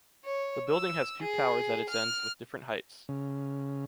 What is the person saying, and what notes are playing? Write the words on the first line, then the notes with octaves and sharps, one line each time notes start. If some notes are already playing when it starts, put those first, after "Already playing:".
The building has two towers at its ends with different heights.
C#5
E6
G#4
F6
C#3